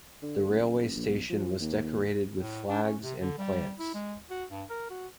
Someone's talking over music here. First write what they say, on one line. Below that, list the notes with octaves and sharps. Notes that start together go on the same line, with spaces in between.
The railway station was decorated with flags and plants.
D3
F#1
A#1
B1
F3
D#2
A2
D4
C#4
C3
D3
G3
E4
G#3
F#4
G2
A#4
F#4